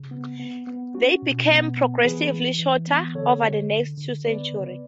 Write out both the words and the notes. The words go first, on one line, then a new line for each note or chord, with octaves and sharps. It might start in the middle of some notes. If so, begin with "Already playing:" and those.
They became progressively shorter over the next two centuries.
Already playing: C#3
B3
B3
B3
C#4 F#4
B2
B3
B3
E3 G#4 B4
E3
E3
B3
D3 A4 C#5
D3
D3
D3
B3 B4 D5
C#3